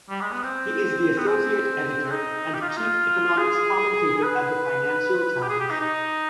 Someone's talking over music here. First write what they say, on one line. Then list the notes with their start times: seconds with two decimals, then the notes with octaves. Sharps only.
He is the associate editor and chief economics commentator at the "Financial Times".
0.09 G3
0.21 G#3
0.32 B3
0.43 C4
1.18 B3
1.27 C4
2.12 D#4
2.53 G4
2.61 F4
2.69 D#4
2.76 F4
3.38 G#4
4.18 G#4
4.22 B4
5.42 G4
5.49 G#4
5.59 G4
5.70 D#4
5.80 D#4